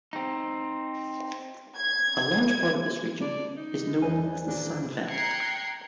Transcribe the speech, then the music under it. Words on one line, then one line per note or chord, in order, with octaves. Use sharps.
A large part of this region is known as the "Sandveld".
C4 D#4
G#6
D5
D#4
E2 D4 C5 G#5
D#1 D4 D6
G5 A#5 F#6 G#6 C7 C#7